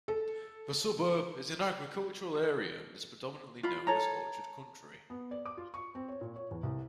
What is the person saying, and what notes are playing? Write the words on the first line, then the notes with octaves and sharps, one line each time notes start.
The suburb is an agricultural area and is predominantly known as orchard country.
A4
F4 B5
A4 C#5 A#5
B3
D5
D6
F4
C#6
C4
C#5
A#2
C#5
E2
C2